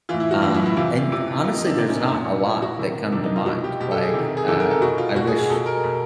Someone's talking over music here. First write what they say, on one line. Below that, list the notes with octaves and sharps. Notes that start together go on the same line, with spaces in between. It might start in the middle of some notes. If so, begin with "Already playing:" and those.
um, and, honestly, there's not a lot that come to mind, like, uh, I wish
A2 E3 F4
E4
F#4
A2 E3 F4
E4
E4
C3 E3 F4
C3 E3
C3 D#3 F4
D#4
D4
C3 D#3 C4
C#4
D#4
A#2
A#2 E4
F#4
C3 D#3
C3 D#3 D4
D#4
F4
B2 F#4
G4
B2 G4
A4
G4
G#4
C3 D#3
G#4
C3 D#3 A4
A#4
A4
B2 F#4
F4
B2 F#4
G#4
G#4
B2 A4
A#4
B2